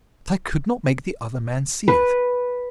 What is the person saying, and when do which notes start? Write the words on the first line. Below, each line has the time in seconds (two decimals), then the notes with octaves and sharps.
But I could not make the other man see it.
1.88 B4